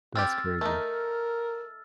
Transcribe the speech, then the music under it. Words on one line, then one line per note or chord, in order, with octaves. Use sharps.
That's crazy.
C4 G4 E6 F6 A6
A3 D#4 A#4